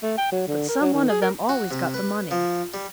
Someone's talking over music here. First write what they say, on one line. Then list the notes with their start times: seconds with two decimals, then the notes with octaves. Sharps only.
But some one of them always got the money.
0.02 A3
0.18 G5
0.32 F#3
0.47 D3
0.69 A#4
0.81 F#3
0.93 D#3
1.09 G#4
1.21 A#4
1.49 F#4
1.71 C3
1.94 B4
2.31 F3
2.74 G3